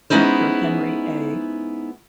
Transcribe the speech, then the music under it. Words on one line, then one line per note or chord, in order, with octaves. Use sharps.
Doctor Henry A.
G#3 B3 C#4 D#4 E4 C5